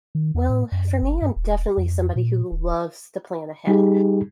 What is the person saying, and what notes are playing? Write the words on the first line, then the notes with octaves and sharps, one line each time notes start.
Well, for me, I'm definitely somebody who loves to plan ahead.
D#3
E2
A2
F#2
G1
G2
D#1
F2
A#2
D1
G3 D#4 G4 G#4